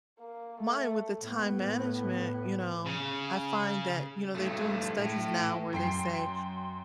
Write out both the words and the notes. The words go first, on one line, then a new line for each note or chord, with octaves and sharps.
mine with the time management, you know, I find that, you know, they're doing studies now where they say
A#3
A3
A2 B3
C#3
G2 A3
A2
F#2 G5 C6 C7